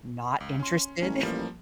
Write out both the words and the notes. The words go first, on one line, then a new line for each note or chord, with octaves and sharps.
not interested.
C#2
C#4 C6
A1 C#4
F3 G3 A#3